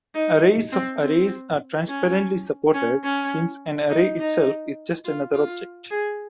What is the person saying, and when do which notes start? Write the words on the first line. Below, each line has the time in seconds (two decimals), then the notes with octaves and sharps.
Arrays of arrays are transparently supported since an array itself is just another object.
0.14 D#4
0.72 C4
1.01 C4
1.88 C#4
2.74 C#4
3.03 C#4
3.90 D#4
4.18 D#4
5.04 F4
5.33 F4
5.91 G#4